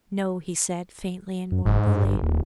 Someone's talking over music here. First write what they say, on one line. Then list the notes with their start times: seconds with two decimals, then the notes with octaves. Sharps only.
"No," he said, faintly and mournfully.
1.52 F#2
1.65 F#1 G#2
1.86 G2
2.04 G1
2.22 D1 D#2